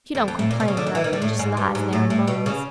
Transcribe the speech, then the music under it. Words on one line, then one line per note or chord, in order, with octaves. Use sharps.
She don't complain or nothing--just lies there and moans.
F2
F2
A2
A#2
B2
C#3
D3
D#3
E3
D#3
D3
A2
G#2
G2
G#2
A2
A2
B2
C#3